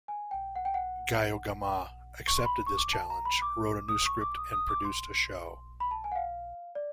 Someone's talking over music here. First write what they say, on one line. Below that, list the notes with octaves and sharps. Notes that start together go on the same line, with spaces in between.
Geiogamah accepted this challenge, wrote a new script and produced a show.
G#5
G5
F#5
G5
F#5
C#6
C6
B5
C#6
D6
A5
A#5
B5
D6
D#6
C#6
D6
D#6
D#6
D6
C6
B5
A5
G#5
F#5
F5
D5